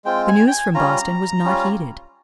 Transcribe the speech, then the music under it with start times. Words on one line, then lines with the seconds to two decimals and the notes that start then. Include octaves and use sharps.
The news from Boston was not heeded.
0.05 G#3 C4 F4 G5
0.28 G#5
0.47 G5
0.52 G#5
0.74 G3 C#4 F4 A#5
1.44 G3 C#4 F4